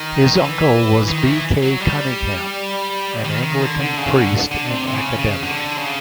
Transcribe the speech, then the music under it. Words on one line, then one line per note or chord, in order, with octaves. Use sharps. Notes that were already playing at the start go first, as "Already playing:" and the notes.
His uncle was B. K. Cunningham, an Anglican priest and academic.
Already playing: D#3
E3
D#3
E3
F#3
G3
D#3
D#3
D3
D3
C#3
D3
D3
C3
C3
C#3
C#3
D3
C#3